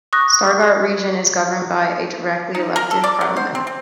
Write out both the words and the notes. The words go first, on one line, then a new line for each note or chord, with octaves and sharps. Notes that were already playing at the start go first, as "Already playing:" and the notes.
Stuttgart Region is governed by a directly elected parliament.
C#6 D#6 F#6 A#6
D#4
A#4
A4
D5
F#3
C5
C4
C4